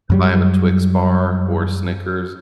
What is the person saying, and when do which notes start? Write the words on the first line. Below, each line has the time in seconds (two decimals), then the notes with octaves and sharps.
if I have a Twix bar or Snickers
0.10 F#2 F#3 G3